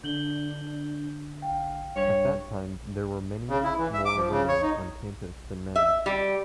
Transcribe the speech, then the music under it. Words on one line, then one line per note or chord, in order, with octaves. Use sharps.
At that time, there were many more women on campus than men.
D3 D4 G6 F#7 G7
F5 G5
G2 C#5
C#3
E4
E3
E5
D6
F3
C#3
C#5
D#4
E5
G3